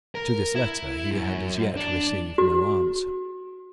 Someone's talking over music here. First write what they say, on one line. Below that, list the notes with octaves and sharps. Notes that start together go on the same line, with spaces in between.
To this letter he had as yet received no answer.
A#4
E4
F#2
D4
F#4